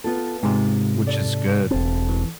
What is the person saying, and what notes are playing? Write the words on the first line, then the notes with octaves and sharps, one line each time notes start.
Which is good.
B3 F4 A4
G#2 C3 G#3 F4
A4 D5
E1 C4 A4
E3